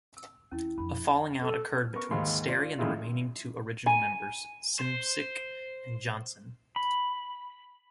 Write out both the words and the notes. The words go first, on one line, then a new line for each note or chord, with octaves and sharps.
A falling-out occurred between Sterry and the remaining two original members Simcic and Johnson.
E6
E2 C#4 E4
F2 D4 B5
A4
B3 A#4 C#6
D#2 G#2 D#3 F5 B5 C6
F4 D5
F#2 A#2 D#3 G#3 E4 F4
G#5
C5
B5